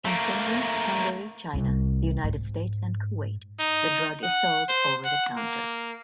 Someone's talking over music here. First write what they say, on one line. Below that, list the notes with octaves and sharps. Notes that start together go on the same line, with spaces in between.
In Finland, Hungary, China, The United States and Kuwait the drug is sold over-the-counter.
A3 A#3
C2
G#2
D#4
F#5
C5
F#5
A#3